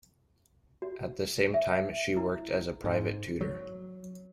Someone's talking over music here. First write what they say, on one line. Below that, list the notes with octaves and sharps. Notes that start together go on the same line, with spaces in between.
At the same time she worked as a private tutor.
F#4
E5
E4
G#2
F#3